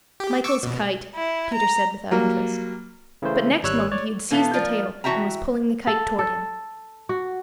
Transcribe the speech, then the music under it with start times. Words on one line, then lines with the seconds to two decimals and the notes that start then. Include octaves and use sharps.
"Michael's kite," Peter said without interest, but next moment he had seized the tail, and was pulling the kite toward him.
0.20 G4
0.44 C#6 D6 E6
0.63 B2
1.14 E4
1.54 A#5
2.11 F#3 G3 A#3
3.22 C#3 E3 A3 C5
3.63 G#1 G3 C#5 E6 F#6
3.92 C#5 D5
4.31 B2 E3 B3 A4 F5
4.53 F3 F4 A#4 D5
5.04 E3 D4 F#4 E5 G5 A#5
5.87 A4
6.19 A4
7.09 F#4